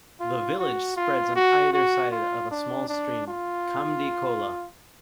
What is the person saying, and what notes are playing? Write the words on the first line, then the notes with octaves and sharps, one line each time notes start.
The village spreads on either side of a small stream "kamdi khola".
F4
F#4
F4
F#4
F#4
F4
D4
D4
F4